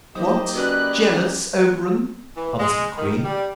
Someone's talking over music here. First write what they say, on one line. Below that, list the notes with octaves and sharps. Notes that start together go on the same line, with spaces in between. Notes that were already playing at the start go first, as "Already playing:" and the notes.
"What! jealous, Oberon?" answered the Queen.
F#3 A#3 D#4 G4 C5 D#5
C#4 F#4 A#4 B4 D5 B5 F#6
E3
G#3
D#3
G3